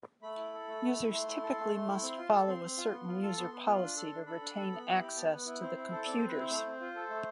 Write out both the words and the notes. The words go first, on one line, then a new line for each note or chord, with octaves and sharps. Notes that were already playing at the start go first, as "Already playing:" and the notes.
Users typically must follow a certain user policy to retain access to the computers.
A3 B5
E4
A4
A3
A3
E4
A3 C6
E4
A4
A3
A3
E4
C4
F4
A4
C4 C6
C4
F4
B3
F4
A4
B3 C6
B3
F4
D4
A4
D4
A4 B5
D4
A4
B3
E4
G4
B3 A5
B3 B4
E4 B4
C4 C5
E4
A4
C4 D5
C4 C5
B4
E4 C5
A3 C5
C4
F4
A4
A3